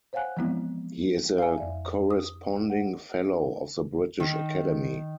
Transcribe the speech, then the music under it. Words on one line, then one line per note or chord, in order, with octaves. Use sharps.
He is a Corresponding Fellow of the British Academy.
C5 C#5 F5 F#5 G#5 F#6
E3 F3 G#3 B3 C4 E4
F5 G#5
F2 D5 E5
D#6
F#5
D#3